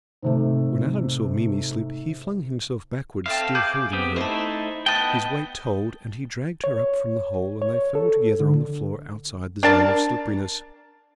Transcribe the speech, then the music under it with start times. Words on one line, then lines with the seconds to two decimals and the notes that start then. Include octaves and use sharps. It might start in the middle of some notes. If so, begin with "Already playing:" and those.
When Adam saw Mimi slip, he flung himself backward, still holding her. His weight told, and he dragged her up from the hole and they fell together on the floor outside the zone of slipperiness.
0.22 G#2 C3 A3
3.26 C4 A4 E5 F5
3.55 G#4 D6 G6
3.93 B3 C4 G4
4.16 A3 D#4 E4 A4 C5
4.86 B3 D#5 G5 A5 F#6
6.64 C#5
7.62 C#5
7.95 A4
8.40 D3
9.63 D4 A#4 A5